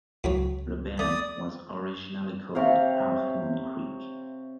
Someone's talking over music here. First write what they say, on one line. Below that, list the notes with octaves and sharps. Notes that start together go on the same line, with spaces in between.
Lebam was originally called Half Moon Creek.
C#2 A2 F#3 C#5
A3 D5 D#6
C3 C#5 F5